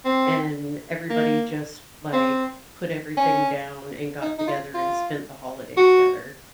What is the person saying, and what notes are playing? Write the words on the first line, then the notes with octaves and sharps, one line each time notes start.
and everybody just, like, put everything down and got together and spent the holiday together,
C4
A#3
C4
C#4
D#4
D#4
F4
F4
F#4